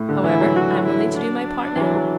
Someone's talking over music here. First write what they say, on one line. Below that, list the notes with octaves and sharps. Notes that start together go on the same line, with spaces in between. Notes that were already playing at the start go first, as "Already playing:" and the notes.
However, I am willing to do my part now.
Already playing: A2
D3
E3 E4
F#3
F#4
E4
D4
E3
F#3
F#3